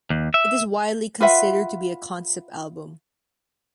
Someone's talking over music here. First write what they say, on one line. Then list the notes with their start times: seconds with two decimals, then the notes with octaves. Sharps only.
It is widely considered to be a concept album.
0.10 D#2
0.34 E5
1.20 F4 B4 E5 F#5